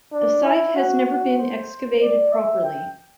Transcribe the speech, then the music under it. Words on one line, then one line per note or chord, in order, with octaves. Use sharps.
The site has never been excavated properly.
D4
E4
F#4
F#4
C5
D5
E5
G5